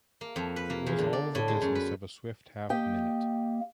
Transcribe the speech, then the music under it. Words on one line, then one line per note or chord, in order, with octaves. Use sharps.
It was all the business of a swift half-minute.
A#3
F2
B4
A#3
E2
D3
D5
A2
G#3
F#2
B4
A#3 G4 D#5 G5